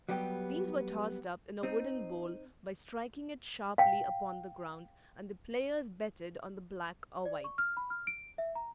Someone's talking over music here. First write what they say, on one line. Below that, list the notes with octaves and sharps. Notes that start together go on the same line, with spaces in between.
These were tossed up in a wooden bowl, by striking it sharply upon the ground, and the players betted on the black or white.
F#3 G3 B3 G4
C4 D#4
F5 G5
D5
C#6
F6
B5
F6
D7
E5
A#5